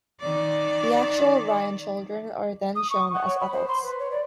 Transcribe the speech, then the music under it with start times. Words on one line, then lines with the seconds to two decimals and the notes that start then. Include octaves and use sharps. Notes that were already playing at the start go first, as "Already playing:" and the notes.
The actual Ryan children are then shown as adults.
0.20 D#3 D5
2.75 D#6
2.90 C#6
3.13 F#5
3.27 C#5
3.41 B5
3.53 C5
3.68 C6
3.83 B4
3.99 C#5
4.11 D5